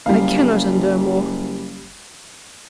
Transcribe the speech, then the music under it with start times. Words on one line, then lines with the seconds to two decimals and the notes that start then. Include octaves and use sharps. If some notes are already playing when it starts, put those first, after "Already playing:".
I cannot endure more!
0.06 F#1 G3 F5